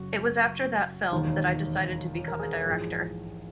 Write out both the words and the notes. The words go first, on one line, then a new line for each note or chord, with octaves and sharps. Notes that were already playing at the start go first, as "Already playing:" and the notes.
It was after that film that I decided to become a director.
Already playing: F#1 F#2 C#3 F#4
E1 D#2 D#3
A#4
G#4
A#4
A#1 G#2 E3 G#4